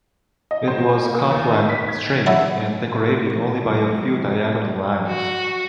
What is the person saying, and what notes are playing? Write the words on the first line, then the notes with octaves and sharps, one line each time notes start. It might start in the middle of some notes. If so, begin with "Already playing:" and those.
It was calf-length, straight and decorated only by a few diagonal lines.
D#5
C5
G#5
A#3
D#2
D#4
B6
G#6
F#3 E4 A5
F3 F#3 G#3
F#4